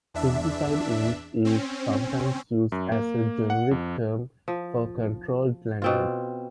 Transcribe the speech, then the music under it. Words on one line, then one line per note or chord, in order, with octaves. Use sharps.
"Simplified English" is sometimes used as a generic term for a controlled language.
E2 D4 E5
C4 C#4
F#2
A#3
F#5
F2
F3
B2 C4 F4